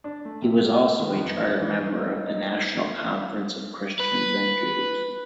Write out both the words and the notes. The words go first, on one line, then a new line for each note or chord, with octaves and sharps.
He was also a charter member of the National Conference of Christians and Jews.
D4
A3
C3
F5
D#3
F2
E3
D#4
D#4
B4